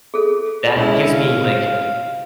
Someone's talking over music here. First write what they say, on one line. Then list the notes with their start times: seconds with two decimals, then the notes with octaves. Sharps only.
that gives me, like,
0.14 G#4 A4
0.76 G#3 C#4 E4
1.12 F5